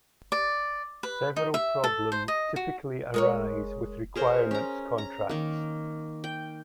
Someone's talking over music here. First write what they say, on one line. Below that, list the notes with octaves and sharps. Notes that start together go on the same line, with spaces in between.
Several problems typically arise with requirements contracts.
D5
B4
D#4
E5
A4
C5
D#5
F#4
G#3 A#4 C#5
G#4 A#4 C5 C#5
C#4 A#5
A#5
D#3 A#3
G5